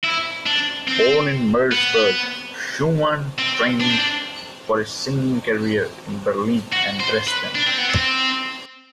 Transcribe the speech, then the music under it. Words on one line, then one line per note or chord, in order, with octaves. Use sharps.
Born in Merseburg, Schumann trained for a singing career in Berlin and Dresden.
E4
D4
C4
B3
C4
D4
C4
D4
F#4
C5
B4
D4
C4
B3
C4